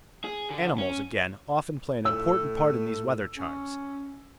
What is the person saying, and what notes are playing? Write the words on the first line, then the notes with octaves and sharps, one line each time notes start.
Animals, again, often play an important part in these weather-charms.
G#4
D3
C#4
A2 E6
C#4